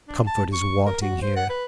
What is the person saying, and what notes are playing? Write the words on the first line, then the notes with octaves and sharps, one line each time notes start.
Comfort is wanting here.
D4
A5
C#6
A#4
F#4
C5
F#5
B4